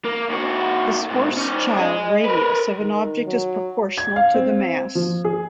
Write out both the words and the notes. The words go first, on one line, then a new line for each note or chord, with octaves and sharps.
The Schwarzschild radius of an object is proportional to the mass.
A#3
D#2 F#4
G#2 B2
C#4 D#4
G#4 D#5
A#4 B4
D#3
F#3
G#6
F5
C4
F3
G#4